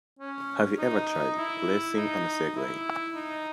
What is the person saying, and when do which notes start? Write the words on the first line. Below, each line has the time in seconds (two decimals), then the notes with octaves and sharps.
Have you ever tried racing on a Segway?
0.19 C#4
0.78 D#4
1.38 E4
1.97 D#4
2.56 E4
3.15 D#4